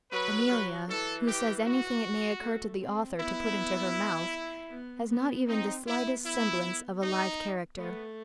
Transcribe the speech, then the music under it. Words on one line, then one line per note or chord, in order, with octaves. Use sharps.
Emilia, who says anything it may occur to the author to put into her mouth, has not even the slightest semblance of a live character.
F#3 B4
F#3
E3 A4
G4
F#4
A3
C4
B3 E4
B3
B3
C4 D#4
B3 E4
E4
D#4
A3 B3